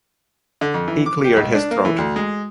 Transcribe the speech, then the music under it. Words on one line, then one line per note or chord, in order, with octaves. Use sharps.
He cleared his throat.
D3
F2
E3
D6
G4
C#2
D4
A#3
E3
D2
G#3